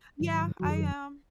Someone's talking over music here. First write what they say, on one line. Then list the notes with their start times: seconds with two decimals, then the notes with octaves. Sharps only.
Yeah, I am.
0.20 G#2 D#3 F#3
0.60 F#2 D#3 F#3 F#4
0.70 G#4